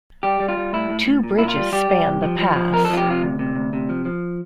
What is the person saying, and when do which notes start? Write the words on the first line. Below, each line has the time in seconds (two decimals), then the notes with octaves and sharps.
Two bridges span the Pass.
0.23 G3 G4
0.40 G3
0.49 F4
0.57 G3
0.73 A2 E4
0.90 A2
1.06 A2
1.23 A#2
1.39 A#2 E4
1.48 F4
1.56 G3
1.72 G3 G4
1.89 G3
2.06 C2
2.23 F3
2.39 F3
2.56 F3
2.73 F2 A#4
2.85 A4
2.90 F3 F4
2.97 G4
3.06 C3 F4
3.22 D2
3.39 C3
3.56 D2
3.73 C3
3.89 F3
4.05 F3